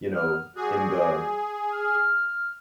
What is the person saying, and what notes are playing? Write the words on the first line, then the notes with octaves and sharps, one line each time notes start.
you know, in the
B3 D#6 F6
G3 F#4 G#4
F6